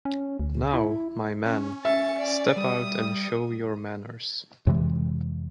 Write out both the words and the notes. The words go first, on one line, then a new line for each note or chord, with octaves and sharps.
Now, my men, step out and show your manners.
C#4
D2
E4
C#4
E5 A6 C#7
D5
G3 D#6
F2 C3 E3 G#3